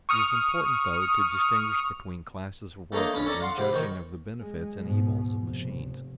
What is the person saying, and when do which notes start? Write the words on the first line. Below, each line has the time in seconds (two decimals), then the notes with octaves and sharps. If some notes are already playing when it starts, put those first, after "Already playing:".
It is important, though, to distinguish between classes of workers in judging of the benefits and evils of machines.
0.09 C#6 D#6 F6
2.92 A3 A#3 D4 D#4 C#5 D#5
3.14 C#4 D4 B4
3.25 C#4 A4 D5 A#5
3.40 F5 F#5 C6
3.57 C3 B4
3.72 G#2 D#3 C#5
4.40 G#3
4.81 G#2 B2
5.46 F1